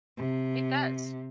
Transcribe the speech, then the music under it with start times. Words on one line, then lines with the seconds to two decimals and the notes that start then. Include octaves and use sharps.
It does.
0.18 C3